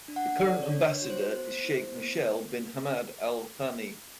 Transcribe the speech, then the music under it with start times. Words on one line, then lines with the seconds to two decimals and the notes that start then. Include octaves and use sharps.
The current ambassador is Sheikh Meshal bin Hamad Al Thani.
0.08 D4
0.16 F#5
0.40 A4 D5
0.63 C#5
0.70 D4
0.86 C#5
1.02 F#4
1.10 C5
1.33 B3
1.64 E4
1.95 B3